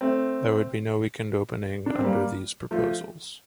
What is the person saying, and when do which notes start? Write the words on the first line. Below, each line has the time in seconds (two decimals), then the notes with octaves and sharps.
There would be no weekend opening under theses proposals.
0.01 A3 C4
1.86 D4
1.95 C4
2.03 G3 A#3
2.71 F3 A3